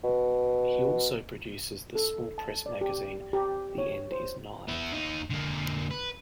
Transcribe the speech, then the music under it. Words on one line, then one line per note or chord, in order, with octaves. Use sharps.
He also produces the small press magazine "The End Is Nigh".
B2
A4
A5
D5
G4
G4
C#5
C5
B3 E4
D#2 D#4
D3 A#3
B4